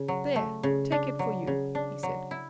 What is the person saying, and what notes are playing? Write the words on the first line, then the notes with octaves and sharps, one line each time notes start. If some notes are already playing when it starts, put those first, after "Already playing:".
"There, take it for you," he said.
Already playing: C#3
F#3
A3
C#3
D4
F#3
C#3
D4
F#3
E4